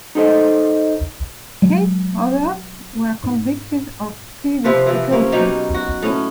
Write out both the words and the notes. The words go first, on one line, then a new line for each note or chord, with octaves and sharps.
Eight others were convicted or pleaded guilty.
D#4 A4 C5 D#5
F#3 G#3
G#2
C3 F3 F4 B4
E3 F3
C3 A#3 C#4
B2 F#3 D#4 G4
F#4
A2 C#4